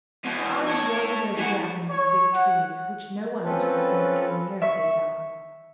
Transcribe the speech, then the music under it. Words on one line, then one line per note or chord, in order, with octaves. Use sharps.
Her eyes wandered over the avenue of big trees, which no one but herself came near at this hour.
E2 B2
A4 C#5
E3 F#4
C#5
F#5
F3 C4 C#4 F4 A4 B4
E5 C#6